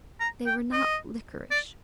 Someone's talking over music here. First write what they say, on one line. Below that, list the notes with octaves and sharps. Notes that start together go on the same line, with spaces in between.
They were not liquorice.
A#5
G5
D#5
D5